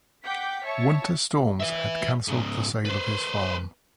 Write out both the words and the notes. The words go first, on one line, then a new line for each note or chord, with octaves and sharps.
Winter storms had cancelled the sale of his farm.
F#5 G5 D6 G6 B6
C#5 E5 A5 C#6
B4 E5
G#2 C#3
B4 C5